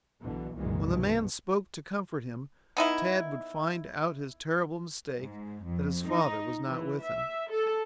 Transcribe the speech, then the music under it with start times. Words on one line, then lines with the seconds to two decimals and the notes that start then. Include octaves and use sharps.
When the man spoke to comfort him, Tad would find out his terrible mistake, that his father was not with him.
0.21 B1 B2 D3 E3
0.57 C2 F#2 A#2 D#3 E3 G#3
0.89 G2 B2
2.77 B3 D#4 E4
5.18 G#2
5.64 F2
6.07 D#4
6.67 E3
7.01 E5
7.50 A4